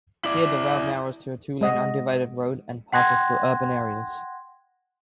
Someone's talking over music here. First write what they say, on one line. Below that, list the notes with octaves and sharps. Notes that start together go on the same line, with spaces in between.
Here, the route narrows to a two-lane undivided road and passes through urban areas.
E4 D5
G#3 D#5 F#5
F#5 G5 C6 F#6 G#6 A#6